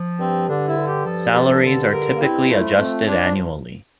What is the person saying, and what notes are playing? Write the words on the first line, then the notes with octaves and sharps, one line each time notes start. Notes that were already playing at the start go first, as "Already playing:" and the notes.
Salaries are typically adjusted annually.
Already playing: F3
G2 C4
D3 D4
E4
G2
G4
F3 A4
G2 A4
D3 A4
G2 A#4
A#3
C4 E4
F3 A3
A3 C4
F3 D4